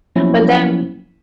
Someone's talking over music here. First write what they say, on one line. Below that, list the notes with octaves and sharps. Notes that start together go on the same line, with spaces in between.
but then
F3 F#3 A#3 B3 C#4 E4